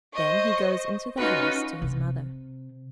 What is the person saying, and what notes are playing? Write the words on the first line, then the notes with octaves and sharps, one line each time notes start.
Then he goes into the house to his Mother.
C5 D#5 C#6
C#4 D#4 F4 F#4 B4
C3